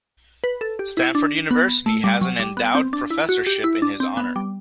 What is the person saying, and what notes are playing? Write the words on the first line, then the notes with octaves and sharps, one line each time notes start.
Stanford University has an endowed professorship in his honor.
B4
A4
G4
E4
D4
B3
A3
G3
F#3
G3
B3
C4
D4
E4
F#4
G4
E4
D4
C4
B3
G3